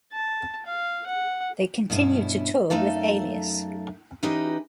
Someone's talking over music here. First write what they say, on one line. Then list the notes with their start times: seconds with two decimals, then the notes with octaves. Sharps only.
They continue to tour with Alias.
0.12 A5
0.66 F5
1.06 F#5
1.90 G2 B2 C#4 E4
2.70 F#2 A3 D#4 A4 F5
4.23 E3 C#4 D#4 G4 B4 D#5